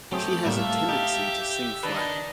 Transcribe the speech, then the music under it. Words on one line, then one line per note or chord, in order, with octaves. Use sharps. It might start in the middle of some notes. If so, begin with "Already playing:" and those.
She has a tendency to sing flat.
F#3 A3 C4 G4 G#4
A2 G3 A#3 A4 E5 F5
D#4 G4
D#3 D4 B4 D5 D#5